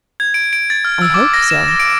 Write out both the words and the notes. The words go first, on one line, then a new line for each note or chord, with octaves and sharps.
"I hope so."
G#6
D7
D7
A6
F6
E6
D6
A#6
E7
A#6
D7